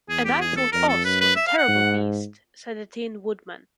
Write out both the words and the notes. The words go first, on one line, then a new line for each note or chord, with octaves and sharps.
"And I thought Oz was a terrible Beast," said the Tin Woodman.
E2 G#4
G4
G#4
A4
F2 A#4
A4
F#2 B4
B4
E5
F5
F#5
G#2